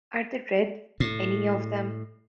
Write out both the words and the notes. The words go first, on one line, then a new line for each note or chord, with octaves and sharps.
Are they red, any of them?
A2